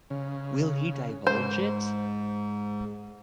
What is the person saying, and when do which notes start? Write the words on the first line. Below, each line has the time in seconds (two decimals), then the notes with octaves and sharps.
Will he divulge it?
0.10 C#3
1.27 G#2 C5